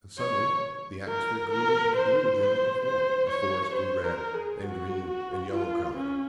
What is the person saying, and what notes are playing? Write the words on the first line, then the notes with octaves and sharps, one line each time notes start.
And suddenly the atmosphere grew as blue again as before; the forest grew red, and green, and yellow-colored.
C#5
A#4
A#4
C5
C5
C5
C#5
C5
A#4
G#4
F#4
F#4
F4
C#4